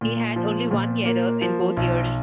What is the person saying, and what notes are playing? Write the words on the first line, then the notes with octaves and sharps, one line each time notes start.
He had only one error in both years.
A#2
F3
A#2
A#3
F3
B1